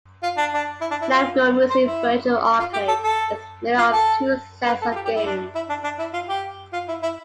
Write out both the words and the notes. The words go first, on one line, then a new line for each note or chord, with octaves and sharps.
"Namco Museum Virtual Arcade" is made up of two sets of games.
F4
D4
D4
E4
D4
E4
F4
C5
E4
F4
G4
A4
A4
F4
A4
B4
A4
F4
G4
G4
E4
D4
E4
D4
D4
E4
F4
G4
F4
E4
E4